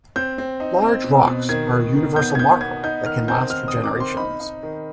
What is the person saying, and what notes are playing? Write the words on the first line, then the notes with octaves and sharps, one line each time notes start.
Large rocks are a universal marker that can last for generations.
C4 G6
C4
D#4
C4
B2
B2
D#3 G#6
D#3
D#3
B3 G6
G#6
B3 G6
B3 G#6
D#4 G6
D#3 F6
C4 G6
D#3 F6
D#6
D#3
D6
C4 C6
D#4 B5
D#4
D#3